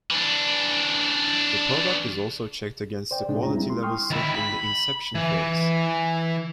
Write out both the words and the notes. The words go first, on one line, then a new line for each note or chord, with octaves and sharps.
The product is also checked against the quality level set in the Inception phase.
E3 D4
C5 D5 G5
A2 C3 G#3 D4 D#4
F2 F4 A#5
G3 G#3 C4 E4
C6
G5 C6 C#6 D#6 F6
D#3 E4
B5
E3